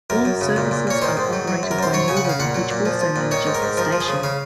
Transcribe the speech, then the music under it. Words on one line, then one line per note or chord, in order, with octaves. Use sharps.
All services are operated by Northern, which also manages the station.
F#2 A#4
F#2
C#3
A#2
A#2
A#2 C#5
D#3 C5
G#2
F#3
F#3
F#2
A#4
F#2 C5
F#3 C#5
C#3 G#5
F#5
C#3 F5
A#2 F#5
F#3
A#2
F3
F3
A#2
D#3 C#5
G#2
A#4
G#2
F3 A#4
F3
G#4
C#3
C#3 F5